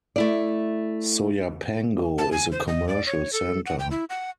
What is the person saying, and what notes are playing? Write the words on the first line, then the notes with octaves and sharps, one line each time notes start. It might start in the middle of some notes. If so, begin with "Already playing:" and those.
Soyapango is a commercial center.
A3 E4 D5
A5
G#5
C5
D#5
D5
C#5
A4
F#5
G5
E4
F#5